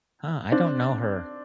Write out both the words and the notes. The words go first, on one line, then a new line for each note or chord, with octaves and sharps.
Uh, I don't know her.
C4 D4